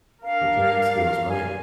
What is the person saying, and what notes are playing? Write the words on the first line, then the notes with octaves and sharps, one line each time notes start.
Mechanic skills, right?
D4 A#4 F5
G#5